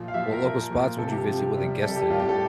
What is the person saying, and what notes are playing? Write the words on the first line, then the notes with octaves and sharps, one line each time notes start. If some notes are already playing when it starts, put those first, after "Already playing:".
What local spots would you visit with a guest today?
Already playing: A#2 F3
F5
A#2 F3 E5
A#4
A#2 F3
A#2 F3
C3 F3 A4
G4
C3 F3
C3 G3
C3 G3 A4
G4
A2 G3 F4
G4
A4